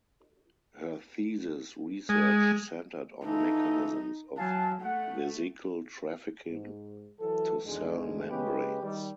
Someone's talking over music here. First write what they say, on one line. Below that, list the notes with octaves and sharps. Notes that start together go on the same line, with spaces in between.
Her thesis research centered on mechanisms of vesicle trafficking to cell membranes.
G#3
E3 F3 D#4 A4
F#3 F5 G#5 A5
A3 F#5
G#2
E3 F#3 A4
G#1 E2 D3 G#3
C#3 G#3 C#4 G4 B4
D#3 G3